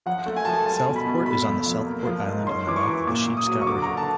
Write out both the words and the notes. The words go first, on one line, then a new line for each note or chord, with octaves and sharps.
Southport is on Southport Island in the mouth of the Sheepscot River.
F3 F#5
A3
G#5
F3 A5
G#5
G3 A5
B2
B5
B2
A3 B5
F2
F3
A#3
F3
G#2
C#4 C6
E3 D6
C#6
E3
A#2 D6
A#2
D#6
F#3
C#6
D3 D6
A#5
D3
A5